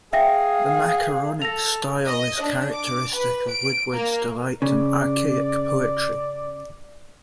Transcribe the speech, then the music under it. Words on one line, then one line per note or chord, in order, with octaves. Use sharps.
The macaronic style is characteristic of Woodward's delight in archaic poetry.
G#4 E5 F5 G5 A#6
A4 A#6 F7
D#5
D4
D6
B4
D7
A#3
C#3 D5